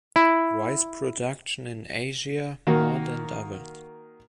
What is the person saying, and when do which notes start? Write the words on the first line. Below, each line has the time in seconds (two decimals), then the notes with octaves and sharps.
Rice production in Asia more than doubled.
0.16 E4
2.67 D#3 A#3 F#4